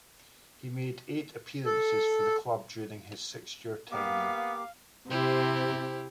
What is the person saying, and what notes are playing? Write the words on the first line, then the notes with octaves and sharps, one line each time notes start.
He made eight appearances for the club during his six-year tenure.
A4
A#3 B3 G4 F5 D6
C3 E4 G4 C5